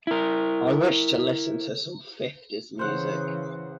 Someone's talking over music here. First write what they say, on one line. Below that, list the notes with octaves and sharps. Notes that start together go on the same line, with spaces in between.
I wish to listen to some fifties music.
E4 A#4
C#3 E3 C5 F#5